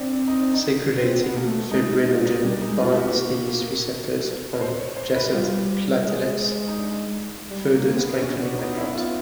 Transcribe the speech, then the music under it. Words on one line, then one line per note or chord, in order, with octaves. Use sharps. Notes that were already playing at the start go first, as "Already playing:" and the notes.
Circulating fibrinogen binds these receptors on adjacent platelets, further strengthening the clot.
Already playing: C4 D4 D#4
D#4
D4
D#4
C4
B3
A#3
A3
G#3 D#4
D4
D#4
G3 D4
D#4
G#3
F4
B3 G4
F#4
A3
A#3
C5
C#5
C5
B4
G3 F4
G#3
D#4
D4
G3
A#3
C4
B3
C#4
D4
D#4
E4
F4